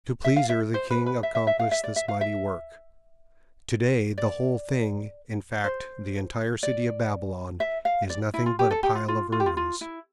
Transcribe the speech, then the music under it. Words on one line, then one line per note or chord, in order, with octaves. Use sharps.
To please her the king accomplished this mighty work. Today the whole thing, in fact, the entire city of Babylon, is nothing but a pile of ruins.
E5
F5
E5
C5
B4
B4
E5
E5
E5
F5
E5
D5
E5
F5
E5
D5
C5
D5
E5
F5
D5
E4
F4
G4
A4
G4
F4
F4
F4
G4
F4
F4
E4